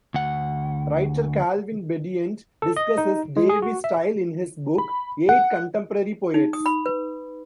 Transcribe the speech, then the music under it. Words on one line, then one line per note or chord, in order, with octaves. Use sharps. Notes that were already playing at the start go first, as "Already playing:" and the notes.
Writer Calvin Bedient discusses Davie's style in his book "Eight Contemporary Poets".
D2 F#5
A4
D#5
D#4
G#3
G#4
F#4
E5
B5
F#5
D#4
D#6
B5
B4